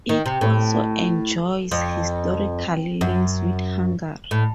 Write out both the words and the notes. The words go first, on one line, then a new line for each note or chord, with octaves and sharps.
It also enjoys historical links with Hungary.
D#3
C3
A2
F2
F#2
A2